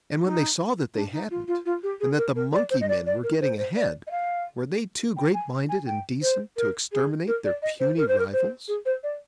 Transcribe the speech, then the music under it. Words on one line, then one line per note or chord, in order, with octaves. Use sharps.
And when they saw that they hadn't, and that the monkey-men were getting ahead, were they too great-minded and decent to exterminate their puny rivals?
D#4
D4
D#4
F4
F4
F4
G4
G#4
A#4
A#4
D5
C5
D#5
D5
D5
A#4
C5
C5
D5
D#5
F5
G5
G#5
G#5
G5
C5
A#4
G#4
A#4
D5
D#5
C5
A#4
C5
A#4
C5
G#4
C5
D5